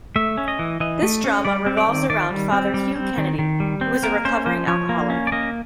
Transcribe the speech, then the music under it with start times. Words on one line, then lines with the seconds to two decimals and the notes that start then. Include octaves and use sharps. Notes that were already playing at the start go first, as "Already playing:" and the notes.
This drama revolves around Father Hugh Kennedy, who is a recovering alcoholic.
0.16 A3 E5
0.37 C#4
0.48 D#5
0.59 E3
0.80 E3 D#5
1.02 A3
1.24 C#4
1.45 G3 D5
1.66 C4
1.77 D5
1.87 D#3
2.10 D#3 D5
2.30 G3
2.52 C4
2.74 G3
2.96 C4
3.17 D#3
3.39 D#3
3.60 G3
3.81 C4
4.03 A#3 A#4
4.25 C#4 C5
4.46 F3 C5
4.67 F3 C#5
4.89 A#3
5.10 C#4
5.27 D5
5.32 A#3 D#5